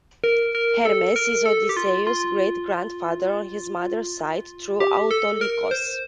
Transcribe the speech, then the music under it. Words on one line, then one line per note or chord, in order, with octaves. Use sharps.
Hermes is Odysseus's great grandfather on his mother's side, through Autolycos.
A#4
A#4
A4
A#4
A4
G4
F4
F4
G4
A4
A#4
C5